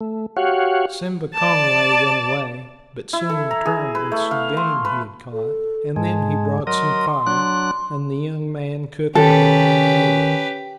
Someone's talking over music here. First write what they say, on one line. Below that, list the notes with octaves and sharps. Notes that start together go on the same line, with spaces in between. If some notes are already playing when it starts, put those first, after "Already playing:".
Simba Kongway went away, but soon returned with some game he had caught, and then he brought some fire, and the young man cooked the game and ate it.
A3
F#4 G4 C#5 F5 F#5
D5 A5
E4
A4
A#5
G#4
B4
A3
F5
C6
B4
A4
G#2 G#3 A5
F#3 A#4 D#5 C6
F#3 D4 F#6
D#3 C#4 G4 A4 B4